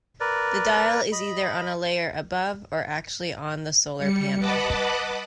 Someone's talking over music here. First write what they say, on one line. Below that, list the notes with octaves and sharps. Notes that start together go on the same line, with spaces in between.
The dial is either on a layer above or actually on the solar panel.
A#4 B4 D5
D#5 B5
G3 C#7
B4 D#5 F#5 A5 B5 D6